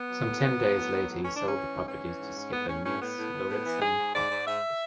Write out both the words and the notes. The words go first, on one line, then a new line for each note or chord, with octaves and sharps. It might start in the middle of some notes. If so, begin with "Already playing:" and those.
Some ten days later he sold the property to skipper Niels Lauritzen Kock.
Already playing: B3
F#3
A2
F#3
F#3
A2
F#3
A2
E3 C#4
E3 D4
C#4
E3
G#2
E3 C#4
E3
G#2
G#2
A2 B3
A2 C#4
A2 C#4
A2 B3
A2
A2
A2
E3
G#2 G#4
G#2
G#2 D5
G#2
G#2 E5